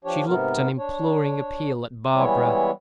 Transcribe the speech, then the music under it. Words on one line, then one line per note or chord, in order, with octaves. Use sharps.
She looked an imploring appeal at Barbara.
F3 D4 G4 C#5
G#2 C3 B3 A#4
D4 C#5
E3 G3 G#3 B3 E4 C#5